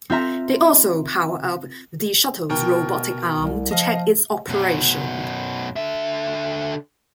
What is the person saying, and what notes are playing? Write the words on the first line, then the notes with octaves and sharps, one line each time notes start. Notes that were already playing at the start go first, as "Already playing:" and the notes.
They also powered up the shuttle's robotic arm to check its operation.
C4 F4 E5 A#5
B2 A#4 G5
C2
F3 D#5 F5
F#2 B2
D3 E5